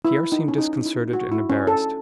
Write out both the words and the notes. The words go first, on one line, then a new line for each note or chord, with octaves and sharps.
Pierre seemed disconcerted and embarrassed.
E4
D#4
C#4
D#4
E4
F#4
E4
C#4
A4